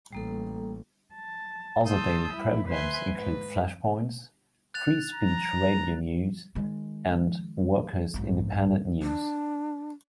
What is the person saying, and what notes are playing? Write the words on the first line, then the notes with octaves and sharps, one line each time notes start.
Other daily programs include Flashpoints, Free Speech Radio News, and Workers Independent News.
A1 G3 A#3 A4
A5
A5 C6 D#6 E6 G6
G3 E4
B4 C5 E5 G#5 C6 F#6
G#2 B4
F#6 A6 F7
A#5
D#3 G#3
B1 G#2
D4